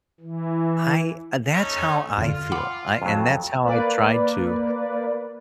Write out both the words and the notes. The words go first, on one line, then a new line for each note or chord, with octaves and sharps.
I that's how I feel, I and that's how I tried to
E3
A3 C#4 D#4
F2 D3 F4
F#5 B5 D6
F2 F#3
A#3 B4 D5